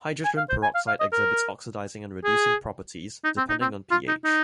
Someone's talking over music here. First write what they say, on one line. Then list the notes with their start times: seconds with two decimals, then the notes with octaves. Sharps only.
Hydrogen peroxide exhibits oxidizing and reducing properties, depending on pH.
0.25 G#5
0.37 F5
0.50 C5
0.63 G#5
0.75 F5
0.87 F5
1.00 D#5
1.12 A#4
2.24 G#4
3.24 D#4
3.37 C4
3.49 D#4
3.61 C4
3.91 F4
4.08 D#4
4.24 D#4